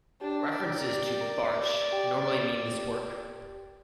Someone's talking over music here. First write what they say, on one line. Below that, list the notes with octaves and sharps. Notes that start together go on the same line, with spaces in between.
References to "Bartsch" normally mean this work.
D4 G4 G5
A#4 A#5
D5
G4 G5
A#4 D5 A#5
G4 G5
G4 G5
A#4 A#5
G4 G5